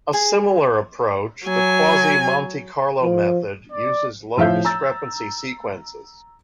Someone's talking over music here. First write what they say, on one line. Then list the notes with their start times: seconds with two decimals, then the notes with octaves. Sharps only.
A similar approach, the quasi-Monte Carlo method, uses low-discrepancy sequences.
0.13 G#4
1.45 F#3 G#5
3.03 F3
3.72 D5
4.37 A2 F3 E5 F5 G6
4.65 A#5 E6 A6